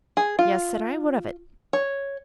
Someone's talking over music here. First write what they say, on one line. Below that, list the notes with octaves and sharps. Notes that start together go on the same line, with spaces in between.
"Yes!" said I. "What of it?"
G#4
F4
C#5